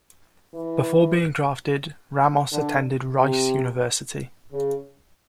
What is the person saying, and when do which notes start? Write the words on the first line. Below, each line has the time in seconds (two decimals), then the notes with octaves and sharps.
Before being drafted, Ramos attended Rice University.
0.54 E3
2.52 D3
3.19 C3
4.52 C#3